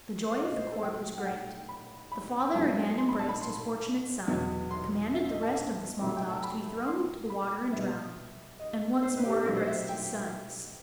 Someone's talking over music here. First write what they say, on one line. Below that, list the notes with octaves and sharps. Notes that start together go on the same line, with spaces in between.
The joy of the Court was great. The father again embraced his fortunate son, commanded the rest of the small dogs to be thrown into the water and drowned, and once more addressed his sons.
C5
D#5
D#5
C5
A4
A2 F#3 A3 G5
F#5
G5
B5
B5
G5
G2 F#3 A3 A5
C6
B5
A5
B5
C6
E2 B2 F#3
C6
E5
D#5
A5
C3 F#3 A3 C4
G5
A5
B5
C6
B5
B2 G3 B3 E5
D#5
C5
B4
G4
A4
B2 F#3 A3 C4 G4
C5
E5
G5